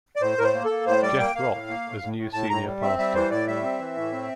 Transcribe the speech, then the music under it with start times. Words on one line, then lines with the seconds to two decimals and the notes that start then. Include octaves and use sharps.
Jeff Rock as new senior pastor.
0.16 D5
0.21 A2 C5
0.38 A2 A#4
0.43 C5
0.54 A#3
0.65 A#3 A4
0.87 A2 C5
1.03 G3 D5
1.19 A#3 G5
1.35 A#3 F5
1.52 A2
1.68 A#3
1.85 A2
2.01 A2
2.17 A2
2.33 A2 A5
2.50 A2 A#5
2.66 G3
2.82 C4 E5
2.98 G3 E5
3.15 E3 C5
3.31 A2 D5
3.47 G3 E5
3.63 C4
3.80 E3
3.96 A2
4.12 C4